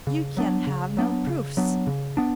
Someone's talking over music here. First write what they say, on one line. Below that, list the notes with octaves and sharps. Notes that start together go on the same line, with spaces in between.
You can have no proofs.
C#3
F#3 B3 D4
C#3
F#3 B3 D4
C#3
F#3 B3 D4
C#3
B3 D4